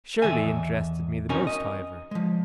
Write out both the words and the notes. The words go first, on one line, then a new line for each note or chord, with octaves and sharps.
Shirley interested me the most, however.
E2 D#3 A4 E5 G#5
C4 C#4 D#4 F#4 A#4 G#5
D#5
F3 G#3